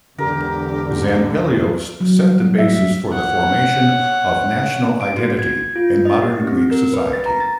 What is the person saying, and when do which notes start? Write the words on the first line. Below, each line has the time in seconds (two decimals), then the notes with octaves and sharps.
Zampelios set the basis for the formation of national identity in modern Greek society.
0.18 E2 G#2 D3 G4 A#4
2.01 F#3
2.19 G3
2.59 E5
3.12 C#5 F#5
5.01 D7
5.17 F#4
5.39 G#6
5.76 F4
6.05 D#5
6.22 G4
6.47 C4
6.71 A#4
6.94 B4
7.13 A6
7.26 A#5
7.40 A6